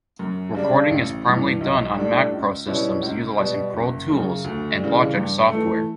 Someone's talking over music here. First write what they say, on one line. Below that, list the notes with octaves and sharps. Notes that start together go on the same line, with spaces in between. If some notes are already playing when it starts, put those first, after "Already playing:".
Recording is primarily done on Mac Pro systems utilizing Pro Tools and Logic software.
F#2
C#3 G3 D4
A1
G2 E3
B1
A2 G3 D4
C#2
B2 G3 C#4 E4
C#2
B2 G3
F#1
F#2 C#3
D2
C#3 E3 G3
G2
E3 A3